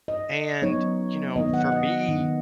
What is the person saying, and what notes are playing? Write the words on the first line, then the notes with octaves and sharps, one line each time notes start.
and, you know, for me,
D#5
F#3 B3 D#4 C#5
D#3 B3 D#4 D#5
F#5
D#5
D#3 B3 D#4